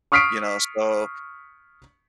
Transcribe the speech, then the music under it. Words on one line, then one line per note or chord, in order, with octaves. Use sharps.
you know, so,
C#6 D#6 F6 B6 C7 D7